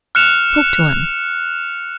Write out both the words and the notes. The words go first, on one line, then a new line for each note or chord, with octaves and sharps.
Talk to him.'
F6 F#6 C#7 E7 F7